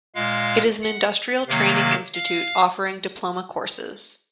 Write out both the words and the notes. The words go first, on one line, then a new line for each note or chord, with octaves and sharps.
It is an industrial training institute offering diploma courses.
A#2 G#3 F5
F#5
C3 D#3 F#3 A#3 F5
F5